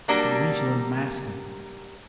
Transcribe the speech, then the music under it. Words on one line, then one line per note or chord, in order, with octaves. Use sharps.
But we shall unmask him.
F#3 G3 A#3 D4